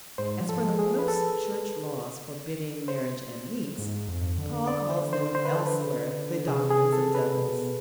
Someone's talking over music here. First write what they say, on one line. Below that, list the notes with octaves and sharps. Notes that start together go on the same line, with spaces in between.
As for the pope's church laws forbidding marriage and meats, Paul calls them elsewhere the doctrines of devils.
G#2 C5
F3
A4
G#3
G#4
F3
B4
A4
C5
G#2
F2
D3
D5
C5
C5
C5
B4
A4
B4
C3 G#4
G#4
A4
B4
B2